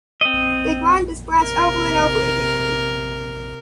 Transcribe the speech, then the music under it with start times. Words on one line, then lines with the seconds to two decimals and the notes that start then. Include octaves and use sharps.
They grind this brass over and over again.
0.21 C4 D#5
1.39 C3 A#4